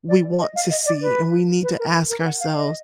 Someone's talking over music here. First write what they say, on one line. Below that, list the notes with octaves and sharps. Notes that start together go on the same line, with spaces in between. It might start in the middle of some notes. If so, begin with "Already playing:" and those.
we want to see and we need to ask ourselves,
D5
D#5
F5
D#5
D5
B4
B4
A#4
A#4
F#5
F5
D#5